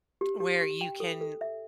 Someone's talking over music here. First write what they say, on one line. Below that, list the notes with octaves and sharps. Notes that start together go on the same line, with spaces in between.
where you can
G4
G4
G4
G5
A4
A4
E5